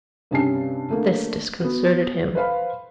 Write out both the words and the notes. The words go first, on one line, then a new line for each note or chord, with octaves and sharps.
This disconcerted him.
G2 C3 C#4 G4 A5 C7
D3 A3 A#3
B3 F#4
B4 C5 F5 B5